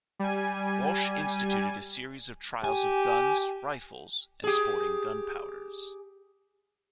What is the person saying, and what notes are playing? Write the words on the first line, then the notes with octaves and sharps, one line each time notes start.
Walsh instituted a series of trials of guns, rifles, and sporting gunpowders.
G3 G#5
G4 G#5
G4 G#4